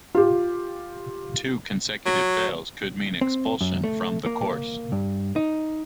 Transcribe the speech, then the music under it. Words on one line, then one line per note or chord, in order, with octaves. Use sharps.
Two consecutive fails could mean expulsion from the course.
F4 G4
F#3
C4
F#2
A3
A#3
G2
D#4